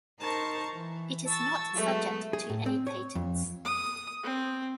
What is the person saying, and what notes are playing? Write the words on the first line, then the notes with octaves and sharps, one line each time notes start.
It is not subject to any patents.
D#4 A#4 C5 A5 A#5 C#6
E3
A5 C#6 E6 A6
F#3 G#3 A3 B3
G#4
A2
C4
C#5
F2
D#6
C4